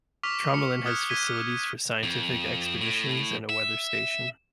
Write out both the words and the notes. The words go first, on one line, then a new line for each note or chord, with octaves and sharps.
Tromelin has facilities for scientific expeditions and a weather station.
C#6 D6 F6 B6 F7
C#7
D#6 F6 F#6 G#6 B6
G#6 B6 D#7 G7
F2
A2
E5